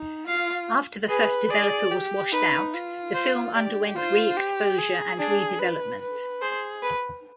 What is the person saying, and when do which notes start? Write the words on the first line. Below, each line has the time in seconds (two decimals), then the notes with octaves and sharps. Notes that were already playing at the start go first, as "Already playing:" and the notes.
After the first developer was washed out, the film underwent re-exposure and redevelopment.
Already playing: D#4
0.27 F4 F5
1.08 G#4 B4
1.49 G#4 D5
1.91 G4
2.32 D#4 B4
2.73 F4
3.14 C5
3.55 G4 D5
3.96 F4 C5
4.37 G4
4.78 G#4
5.19 D4 G#4
5.60 B4
6.01 B4
6.42 G#4 C5
6.82 B4